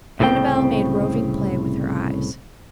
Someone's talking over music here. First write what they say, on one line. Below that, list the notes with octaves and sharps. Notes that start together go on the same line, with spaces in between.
Annabel made roving play with her eyes.
C2 A2 C#3 C4 G5